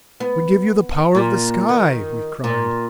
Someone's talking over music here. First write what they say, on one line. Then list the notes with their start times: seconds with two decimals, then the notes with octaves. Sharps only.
"We give you the power of the sky!" we cried.
0.20 B3
1.15 A#2
1.69 D#3
2.44 A#2